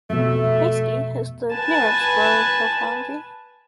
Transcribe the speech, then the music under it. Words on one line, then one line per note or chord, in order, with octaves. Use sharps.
Maysky is the nearest rural locality.
F2 B2 A3 E5
B4 G#5 A5